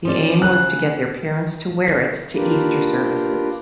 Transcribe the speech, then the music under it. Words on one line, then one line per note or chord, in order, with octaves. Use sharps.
The aim was to get their parents to wear it to Easter services.
F3 C#4 D5
C#3 F#6
A#3 D4 F4 G4 A#4 B4